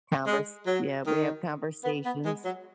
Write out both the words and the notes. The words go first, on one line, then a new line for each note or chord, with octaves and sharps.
convers yeah, we have conversations.
G#3
F#3
D#3
B3
B3
G#3
F#3